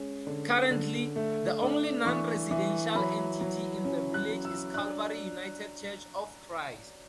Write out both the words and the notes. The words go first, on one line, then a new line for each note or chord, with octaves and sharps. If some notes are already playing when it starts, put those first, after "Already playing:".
Currently, the only non-residential entity in the village is Calvary United Church of Christ.
Already playing: G#3 C#4
D3
D3
A3
D4
E3 C#6
E3
F#3 B5
F#3
C#4
F#6
F#3
E6
D4 F#6